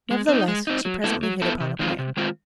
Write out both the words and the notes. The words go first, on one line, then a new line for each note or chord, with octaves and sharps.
Nevertheless she presently hit upon a plan.
G#3
C4 D#4
G#3
C4 D#4
F#3
B3 E4 A4
F#3
B3 E4 A4
C3
D#3 G#3 C4 F4
C3
D#3 G#3 C4 F4